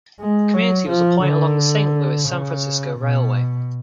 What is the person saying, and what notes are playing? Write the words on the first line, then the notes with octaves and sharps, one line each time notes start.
The community was a point along the Saint Louis-San Francisco Railway.
G#3
F#3
F3
D3
C#3
B2